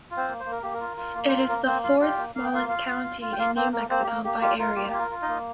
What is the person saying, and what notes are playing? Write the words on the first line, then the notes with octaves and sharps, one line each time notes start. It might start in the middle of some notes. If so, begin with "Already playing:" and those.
It is the fourth-smallest county in New Mexico by area.
F4
C4 C5
A#3
C5
A#3
A#4
A#3 G4
A#4
F4
F4
A#3
C5
F4 A#4
A#3 A#4
A#3 C4 C5
F4 F5
F4 G4 G5
A#3
A#3 F5
G5
A#3 F4 F5
F4 F5
F4
F4
F4
G5
A#3 F4 F5
A#3 C4 C5
A#3 A#4
A#3 C4 C5
G4
A#3 A#4
A#3 G4
F4 G4
F4 A#4
A#3 G4
G4
F4 A#4
F4
D#4 D#5
A#3